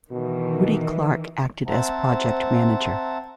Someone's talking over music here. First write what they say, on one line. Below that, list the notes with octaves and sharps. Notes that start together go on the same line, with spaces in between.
Woody Clark acted as Project Manager.
B2 D#3 E3
C4 C5 E5 F#5 A5 A#5